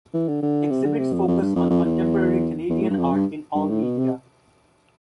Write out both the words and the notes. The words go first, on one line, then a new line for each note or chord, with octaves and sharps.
Exhibits focus on contemporary Canadian art in all media.
E3
D3
D3
C3
D3
C3
F2
F2
G2
F2
F2
E2
E2
A2
G2
F2
G2
G2
A2
B2
C3